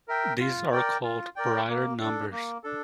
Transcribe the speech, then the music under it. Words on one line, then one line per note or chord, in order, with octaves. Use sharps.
These are called Brier numbers.
A#4 E5 G5
F4
A#4 D5 G5
F4
A#4 D5 G5
A#3
D4 A4
A#3
D4 A4